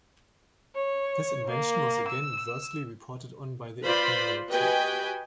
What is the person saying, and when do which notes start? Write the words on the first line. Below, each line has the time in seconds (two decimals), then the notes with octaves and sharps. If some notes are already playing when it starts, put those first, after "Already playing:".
This invention was again adversely reported on by the admiralty.
0.75 C#5
1.47 A#3
2.07 E6
3.83 F4 B4 C5 D5 B5
4.48 F#4 G4 B4 D#5 G5 G#5